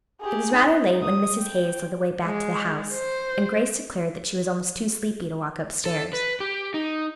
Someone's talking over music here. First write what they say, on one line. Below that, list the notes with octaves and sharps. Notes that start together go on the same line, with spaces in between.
It was rather late when Mrs. Hayes led the way back to the house, and Grace declared that she was almost too sleepy to walk up-stairs.
G4 G#4
D#4
D#6
G5
G#3
C5
A4
B4
G4
D#4